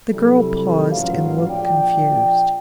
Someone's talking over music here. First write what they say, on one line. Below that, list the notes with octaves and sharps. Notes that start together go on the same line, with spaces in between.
The girl paused, and looked confused.
C3 F#3 G3 E4 A4
A1 G#2 C#3 F#3 F4 F5
A#1 F3 D5 G5